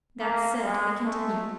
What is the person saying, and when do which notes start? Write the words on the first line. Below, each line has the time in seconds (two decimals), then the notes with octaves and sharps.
That said, we continue.
0.21 A#3
0.63 G#3
1.05 A3